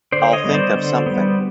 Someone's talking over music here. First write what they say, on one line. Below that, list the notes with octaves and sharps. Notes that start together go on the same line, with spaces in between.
I'll think of something.
D3 C5 D5
C#5 D#5
G3 B3
C5 D5
D3
G3 B3